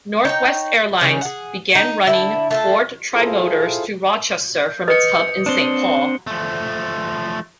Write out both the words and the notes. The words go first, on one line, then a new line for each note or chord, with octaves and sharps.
Northwest Airlines began running Ford Trimotors to Rochester from its hub in Saint Paul.
D#4 C#5 G5
C#3 G3 C#4
G#4 F#5
D#4
D3 E4
A3 F4 A4
E4 F4 G#4 A4 C5 F5
G6
B4 D#5 D#6 C#7
C4 D4 D#7 G7
F3 A3